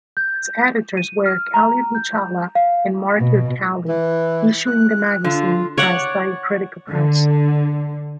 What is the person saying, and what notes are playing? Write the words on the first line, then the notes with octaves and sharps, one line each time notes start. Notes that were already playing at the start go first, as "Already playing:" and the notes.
Its editors were Cali Ruchala and Mark Irkali, issuing the magazine as "Diacritica Press".
G6
D#7
F6
A#5
G6
F5
B2
E3
F#6
D3 F4
C#5 D5 F#5
D3